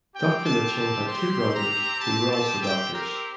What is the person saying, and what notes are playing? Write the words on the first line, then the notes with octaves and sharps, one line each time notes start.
Dr Mitchell had two brothers who were also doctors.
C4 G4 G5
A5
A5
C6
A#5
A5
A5
G5
A#4